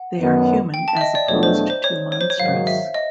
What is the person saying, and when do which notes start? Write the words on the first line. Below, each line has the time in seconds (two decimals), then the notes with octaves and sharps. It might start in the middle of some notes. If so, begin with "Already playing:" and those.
They are human as opposed to monstrous.
Already playing: F#5
0.19 F#2 D#3 F#3 B3
0.74 G5
0.88 A5
0.97 E5
1.01 D#5
1.15 D5
1.28 E2 B2 F#3 A3 D4 C#5
1.43 C5
1.70 C5
1.84 C#5
2.12 C#5
2.21 C5
2.30 C#5
2.39 G#2 D#3 F#3 F5
2.67 E5
2.94 D#5